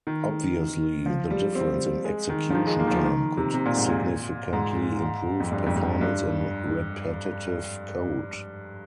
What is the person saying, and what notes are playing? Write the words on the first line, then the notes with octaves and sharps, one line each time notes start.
Obviously, the difference in execution time could significantly improve performance in repetitive code.
D#3
F3
G3
C4
G#3
D#3
F3
D#3
G#3
A#3
D#3
F3
D#3
C3
C3
A#2
G#2
A#2
G#2
F2
G2
F2
G2
G2